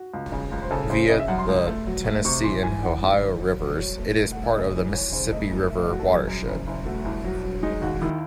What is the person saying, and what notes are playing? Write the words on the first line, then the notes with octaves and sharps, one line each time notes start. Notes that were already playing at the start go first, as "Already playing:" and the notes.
Via the Tennessee and Ohio rivers, it is part of the Mississippi River watershed.
Already playing: F#4
C#2
C#3
C#2
C5
C#3 A4
C#3 C5
C#3 D#5
E5
F#2 F#5
C6
C#2
A3
F#3
A3
C3 C#6
E3 C6
E3 G#5
E3 F#5
G#2
G#1
F#3
F#3
F#3 C#5
A3
A3
A3 F#5
E5
C#3 D#5
E3
E3 C#5
C#3 C5
A3 D#5
C2
A3 E5
D#5
F#3 F#4
A4
F#2 G#4
F#2
F#1
F#1
A3 F#4
C2
F#3
F#3
G#3 D#4
D#2 F#4
D#3 E4